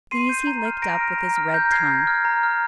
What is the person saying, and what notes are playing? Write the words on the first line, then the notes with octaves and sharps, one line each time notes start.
These he licked up with his red tongue.
C6 C7 D#7
G6
A#5
F6
A#5 A#6 D7
F6
A#5
F6
A#5 G6 A#6
F6 G#6 C7
A#5
F6
A#5
F6